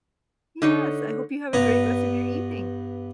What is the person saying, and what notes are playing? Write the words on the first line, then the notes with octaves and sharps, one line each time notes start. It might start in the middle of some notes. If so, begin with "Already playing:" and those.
Yes. I hope you have a great rest of your evening.
D3 D#4 C#5
G2 B3 B4 A#5